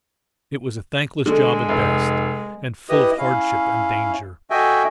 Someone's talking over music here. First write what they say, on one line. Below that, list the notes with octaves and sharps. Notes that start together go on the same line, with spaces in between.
It was a thankless job at best, and full of hardship and danger.
D3 G#3
F1
E4 G4 B4 D#5 D#6
C#4 E4 F5
F#4 A4 D#5 E5 G5 G#5